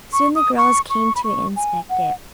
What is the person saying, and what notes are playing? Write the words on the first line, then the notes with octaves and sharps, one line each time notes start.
Soon the girls came to inspect it.
C#6
D#6
C#6
C#6
B5
C#6
G#5
F#5